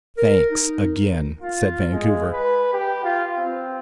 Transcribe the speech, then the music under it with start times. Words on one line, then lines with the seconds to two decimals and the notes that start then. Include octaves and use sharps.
"Thanks, again," said Vancouver.
0.18 A#4
0.51 D#4
1.42 F4
1.92 G#3
2.31 B4
2.73 G4
3.04 F4
3.37 C4